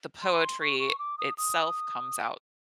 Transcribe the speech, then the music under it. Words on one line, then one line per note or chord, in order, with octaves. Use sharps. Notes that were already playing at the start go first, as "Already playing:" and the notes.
the poetry itself comes out
C6
C#6
C#6
D6
D#6
D#6